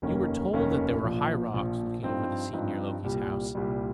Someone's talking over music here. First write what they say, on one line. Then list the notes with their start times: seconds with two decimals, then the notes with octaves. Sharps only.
You were told that there were high rocks looking over the sea near Loki's house.
0.02 F1 D#2 D#3 A#3 C#4
0.53 F1 D#2 D#3 A#3 C#4
1.03 A#1 A#2 F3
1.53 A#1 A#2 F3
2.03 G2 F3 C4 D#4
2.53 G2 F3 C4 D#4
3.04 C2 A#2 G3
3.55 C2 A#2 G3